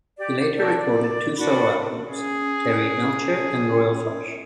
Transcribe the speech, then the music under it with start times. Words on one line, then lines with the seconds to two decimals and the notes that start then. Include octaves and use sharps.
He later recorded two solo albums, "Terry Melcher" and "Royal Flush".
0.18 G4 D5
0.55 D4 A4 A#4 D5
0.76 D5
1.37 D4 F#4 B5
2.09 C#4 G#4